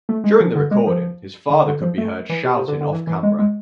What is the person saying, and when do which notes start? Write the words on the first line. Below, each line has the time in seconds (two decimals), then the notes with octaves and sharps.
During the recording, his father could be heard shouting off-camera.
0.09 A3
0.24 G#3
0.40 F3
0.55 D3
0.71 G#3
0.87 F3
1.50 D3
1.66 D3
1.82 F3
1.98 A3
2.29 E3
2.44 C3
2.57 C3
2.68 D3
2.81 D3
2.92 E3
3.07 E3
3.23 G#3
3.39 G#3